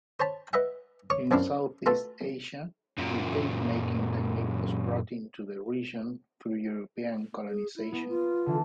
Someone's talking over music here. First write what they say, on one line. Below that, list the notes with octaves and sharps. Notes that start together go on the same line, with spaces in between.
In Southeast Asia, the cake-making technique was brought into the region through European colonisation.
C5 C#5 A5 B5
B4 D#5 E5 F#5
C#5 C#6 D6
A#1 F#2 C4 D4 E4 F5
A3 F4 F#4 A4 B4
F#2 A#2
G#4
E4
B3
F4
D3 E3